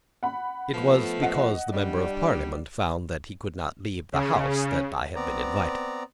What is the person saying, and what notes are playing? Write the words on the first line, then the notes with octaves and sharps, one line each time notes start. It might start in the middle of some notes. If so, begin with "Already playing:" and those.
It was because the Member of Parliament found that he could not leave the House that I had been invited.
F#5 B5
F3 A3 B3
D#5 F#5
G3 D4
C#3
B3 C4 D5 A#5